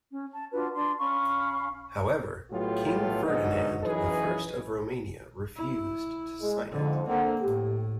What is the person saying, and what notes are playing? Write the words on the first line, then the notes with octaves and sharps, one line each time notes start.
However, King Ferdinand the First of Romania refused to sign it.
C#4
A5
D4 F4 F#4 B4
D4 C6
C#4 F5 B5 C#6
A2 F#3 A3 B3 F4 G4
G#2 D3 F#3 B3 D#4
F#2 E3 C#4 D#4 G#4 B4
E4
G#3
F2 G#2 D3
A#3 C4 D4 A4 F#5
A2 G4